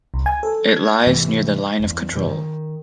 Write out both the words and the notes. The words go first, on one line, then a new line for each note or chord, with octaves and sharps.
It lies near the Line of Control.
C2
G#5
A4
G#6
G#2 C3 E3 A3
E1 E2
G2 C3 E3 G3
D#3